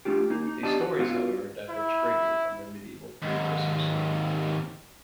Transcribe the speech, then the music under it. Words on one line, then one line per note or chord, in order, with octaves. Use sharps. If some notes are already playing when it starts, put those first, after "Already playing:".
These stories, however, diverged greatly from their medieval precursors.
A3 D4 F4 G4
A#3 D#4
D#4
B3 D4 G4 D5 D#5 A5
F#4
B3 D#4 F4 F#4
E4
D#2 G#2